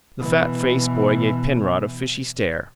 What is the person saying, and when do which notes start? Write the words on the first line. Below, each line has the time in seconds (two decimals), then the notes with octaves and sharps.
The fat-faced boy gave Penrod a fishy stare.
0.19 B2 E3